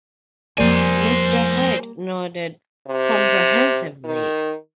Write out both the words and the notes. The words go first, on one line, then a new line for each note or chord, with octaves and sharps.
Mr. Haight nodded comprehensively.
F2 F3 G3 A#3 C5 D5 G#5
C3
D#3